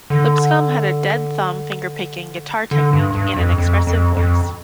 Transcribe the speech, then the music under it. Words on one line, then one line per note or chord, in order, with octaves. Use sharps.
Lipscomb had a "dead-thumb" finger-picking guitar technique and an expressive voice.
D3
D3
G2
G2
F2
F2
F2
F2